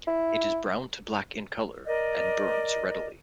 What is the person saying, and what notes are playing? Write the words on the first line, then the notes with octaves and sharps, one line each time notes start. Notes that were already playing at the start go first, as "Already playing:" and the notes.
It is brown to black in color, and burns readily.
E4
A#4 D5 D#5